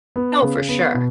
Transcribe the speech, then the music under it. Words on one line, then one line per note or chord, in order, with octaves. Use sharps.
Oh, for sure.
B3
C#3
B3
B2